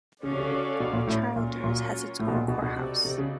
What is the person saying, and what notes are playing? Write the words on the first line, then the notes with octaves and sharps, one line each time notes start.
Childers has its own courthouse.
C#3 C#4 F#4 A4 D5 F5
C3
C#3
C#3
B2
A#2
A2
A#2 F#3 A#3 C#4 F4 A#4
A#2
A2
B2
A#2
B2 B3 D#4 F#4 A4 D5
B2
C3
C3
C#3